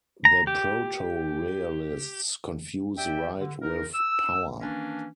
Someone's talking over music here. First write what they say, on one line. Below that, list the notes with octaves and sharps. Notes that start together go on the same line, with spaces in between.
The proto-realists confuse right with power.
A#5
G4
G4 D5 E5 G5
D3
D#4 A#4
E6
D#3 E3 A#3 C#4 D4